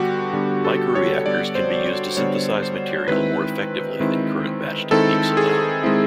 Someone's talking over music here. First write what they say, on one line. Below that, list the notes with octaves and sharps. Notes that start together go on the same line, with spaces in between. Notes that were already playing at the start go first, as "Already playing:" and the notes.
Microreactors can be used to synthesise material more effectively than current batch techniques allow.
Already playing: D3 G3 B3 F#4 G4
D3 G3 B3
A4
C#5
D3 G3 B3 D5
C5
C#5
D3 G3 B3 C#5
C5
D#3 G#3 C4 E4 B4
D#3 G#3 C4 E4
D#3 G#3 C4 E4 A4
G#4
D#3 G#3 C4 E4